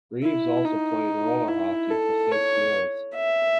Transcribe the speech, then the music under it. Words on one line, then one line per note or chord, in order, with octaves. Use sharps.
Reeves also played roller hockey for six years.
E4
D#4
E4
A4
C#5
E5